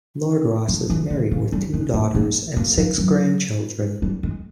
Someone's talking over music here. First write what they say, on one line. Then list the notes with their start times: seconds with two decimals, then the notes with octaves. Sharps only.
Lord Ross is married with two daughters and six grandchildren.
0.68 F3
0.90 E3
1.10 D#3
1.31 C#3
1.52 G3
1.73 G#3
1.94 A3
2.15 A#3
2.56 A#3
2.77 F3
2.98 F#3
4.02 G3
4.23 G#3